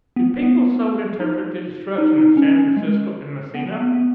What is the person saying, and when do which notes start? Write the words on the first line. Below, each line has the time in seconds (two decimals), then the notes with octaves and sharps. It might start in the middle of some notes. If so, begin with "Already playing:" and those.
Do people so interpret the destruction of San Francisco and Messina?
0.16 B3
0.43 B3
1.20 D#4
1.98 D#4
2.18 D#4
2.37 C#4
2.56 C#4
2.77 G#3
3.54 B3
3.81 B3
3.95 B3